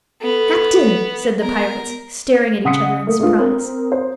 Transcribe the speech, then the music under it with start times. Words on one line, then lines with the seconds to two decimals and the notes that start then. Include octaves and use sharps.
"The captain!" said the pirates, staring at each other in surprise.
0.22 B3 A4
1.42 B3 A#4
2.64 C#3 F#5 D#6 B6 C#7
3.07 A3 A#3
3.19 G#3 A3 B3 D4 F4
3.39 C4 A#4
3.92 C5